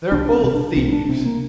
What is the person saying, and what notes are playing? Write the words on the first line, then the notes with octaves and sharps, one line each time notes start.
"They're both thieves!"
C2 D4
C4
C3
D4
C2 C4
D4
C3 C4
A#3